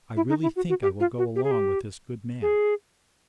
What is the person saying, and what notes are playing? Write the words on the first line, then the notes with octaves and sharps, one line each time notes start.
I really think I will go along with this good man.
E4
D#4
E4
F#4
F#4
G4
F4
F#4
G4
G#4
G4
G#4